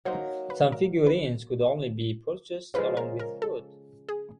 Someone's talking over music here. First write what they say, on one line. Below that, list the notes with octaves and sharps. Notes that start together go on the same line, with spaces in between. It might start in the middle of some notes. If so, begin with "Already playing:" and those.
Some figurines could only be purchased along with food.
F#3 A#3 D#4 C5
B4
A#4
B4
C#3 F3 G#3 B4
A#4
A#4
A4
G#4